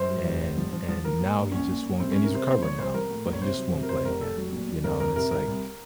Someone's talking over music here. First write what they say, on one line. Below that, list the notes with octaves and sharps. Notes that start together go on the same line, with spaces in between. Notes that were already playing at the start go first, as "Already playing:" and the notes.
And and now he just won't and he's recovered now, but he just won't play again, you know, and it's like
Already playing: F#2 C5
F#3
F1
F1
F3
F3
F3
F3 A#4
A#2
A#2
A#1 C#4
A#2
A#2
C2 C4
C3 C#4
A#4
C3 C5
A#2 C5
F3 C#5
C2 C5
F3 A#4
A2
A#1
C#5
C3 C5
F#3
C3
A#4
F1 C5
F1 A#4
F1 A4
F#3
A#2
A#2
F2 A#4
F2 A#4
C3 A#4
C2 A#4
C2